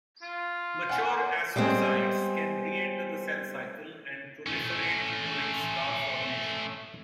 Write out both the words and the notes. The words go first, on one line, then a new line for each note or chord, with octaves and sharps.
Mature astrocytes can re-enter the cell cycle and proliferate during scar formation.
F4
F#5 G#5 C6
G3 G#3 B3 C4
A3 C#4